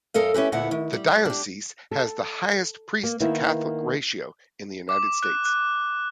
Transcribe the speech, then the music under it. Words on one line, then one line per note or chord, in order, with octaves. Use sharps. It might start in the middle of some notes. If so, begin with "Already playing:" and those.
The diocese has the highest priest-to-Catholic ratio in the United States.
F#2 A4 A#4 D#5 F5
C#4 E4 G4 B4
D2 A#2 B3 E4 F#5
D#3
G3
D4 G4
A4
A#3
D#3 A#3 B3 D#4 E4
D6
F#6
F#6